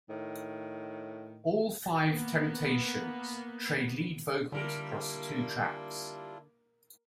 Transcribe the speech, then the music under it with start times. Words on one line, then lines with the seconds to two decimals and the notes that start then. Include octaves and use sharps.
All five Temptations trade lead vocals across the two tracks.
0.10 A2 D#3
2.08 A#3 B3
4.52 D3 G3 A#3 D4 E4 F4 A#4